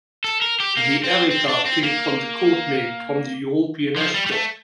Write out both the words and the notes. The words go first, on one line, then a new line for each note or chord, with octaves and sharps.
The "Erika" came from the code-name from the European Escort.
A4
A#4
G4
A#3
C4
C4
D4
C4
A#3
F3
G3
G3
A3